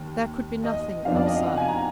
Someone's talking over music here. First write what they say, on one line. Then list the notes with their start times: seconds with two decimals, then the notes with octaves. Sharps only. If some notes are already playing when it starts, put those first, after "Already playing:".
There could be nothing outside.
Already playing: D#2
0.64 D#5
1.05 F2 F3 B3 D4 F5
1.16 D5
1.26 D#5
1.37 F5
1.47 F#5
1.57 G#5
1.68 A#5